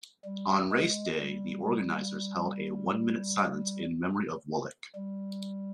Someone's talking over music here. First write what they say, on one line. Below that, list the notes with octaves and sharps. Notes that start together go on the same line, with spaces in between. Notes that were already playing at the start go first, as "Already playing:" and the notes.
On race day, the organizers held a one-minute silence in memory of Wollek.
G3
G#3
G3
G3